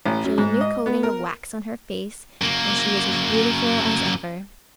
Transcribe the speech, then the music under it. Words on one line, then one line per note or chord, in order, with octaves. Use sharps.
She had a new coating of wax on her face and she was as beautiful as ever.
A1
F#2
G#2
D#5
B3
A#4
F#2 A#3